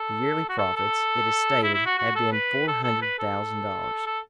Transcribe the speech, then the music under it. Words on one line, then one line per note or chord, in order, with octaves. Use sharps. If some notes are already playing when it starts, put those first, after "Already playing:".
The yearly profits, it is stated, have been four hundred thousand dollars.
Already playing: A4
F#4
A4
A4
E4
E4
F#4
F#4
A4
B4
A4
A4
B4
A4
A4